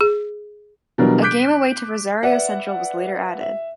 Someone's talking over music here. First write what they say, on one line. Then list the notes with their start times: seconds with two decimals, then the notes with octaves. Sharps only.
A game away to Rosario Central was later added.
0.01 G#4
0.98 B2 E3 F#3 G3 D4 A#4
1.22 D6 F#6 G6 B6 D7
2.23 B4 D5 E5 F#5
3.41 E5